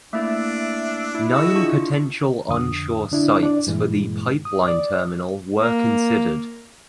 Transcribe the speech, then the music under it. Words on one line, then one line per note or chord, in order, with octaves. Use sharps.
Nine potential onshore sites for the pipeline terminal were considered.
A3 A#3 D4 E4 E5
E4
F#4 G#4 D#5 E6
D4 F4 C#6
F2 D3 D#6
D3 D4 E4
D4 D5
G2 A#2 E3 G#3
D#6
D5
A#3